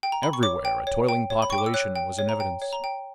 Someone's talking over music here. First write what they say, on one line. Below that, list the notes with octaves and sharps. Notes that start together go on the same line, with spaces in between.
Everywhere a toiling population was in evidence.
G5
A#5
B5
C#6
C#5 D6
G5
C#5
G5
C#5
B5
G5 C#6
D6
E6
C#5 F#6
G5
C#5
A#5
G5
C#5
A#5
G5